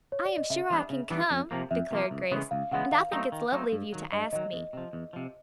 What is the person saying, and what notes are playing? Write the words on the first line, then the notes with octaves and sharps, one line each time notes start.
"I am sure I can come," declared Grace, "and I think it's lovely of you to ask me."
C#5
D5
D#5
C#3 E5
E3 G3 B3 D4
C#3
E3 G3 B3 D4
F2
C3 F3 A#3
F2 E5
C3 F3 A#3
C#2
C#3 E3 G#3 B3
C#2 F5
C#3 E3 G#3 B3 F#5
D#3 F5
F#3 A3 C4 D#4
D#3
F#3 A3 C4 D#4
G2
D#3 F#3
G2 D#5
D#3 F#3 D#5
E2
C3 F3
E2
C3 F3